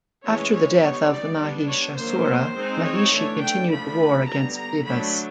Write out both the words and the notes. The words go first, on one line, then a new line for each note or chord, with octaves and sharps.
After the death of Mahishasura, Mahishi continued the war against Devas.
E3 G#3 C#4 C#5
C#5
G3 B3 D#4 C#5
D5
G3 B3 D4
C#5
D#3 F#3 A#3 C5
G#3 C4 D#4
C#5
E3 A3 D4
G5
D3 F3 A3 D4 B5
D3 G3 B3 A#5
A#5
D3 F#3 A3 D4 B5